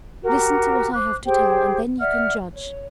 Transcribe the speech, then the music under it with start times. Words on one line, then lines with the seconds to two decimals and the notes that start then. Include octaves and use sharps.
Listen to what I have to tell and then you can judge.
0.23 F#4 G4 A#4
0.93 C5 D6 F#6
1.25 G4 G#4 C5 G5
2.00 D5 E5 F#5 F6
2.53 C#5